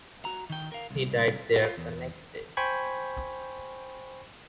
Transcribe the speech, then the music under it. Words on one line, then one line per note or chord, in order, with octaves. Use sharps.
He died there the next day.
F#4 A#5
D#3 G5
A#4 F5
C2
F4
E2
C5 G5 G#5 B5 C#6 G#6